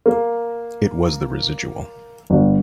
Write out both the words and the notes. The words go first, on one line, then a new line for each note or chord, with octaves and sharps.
It was the residual.
A#3
G1